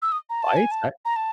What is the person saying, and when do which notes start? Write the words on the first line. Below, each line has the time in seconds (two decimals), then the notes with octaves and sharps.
Fights? I
0.02 E6
0.12 D#6
0.30 A#5
0.43 A5
0.57 G#5
0.71 A5
1.05 A#5
1.16 A5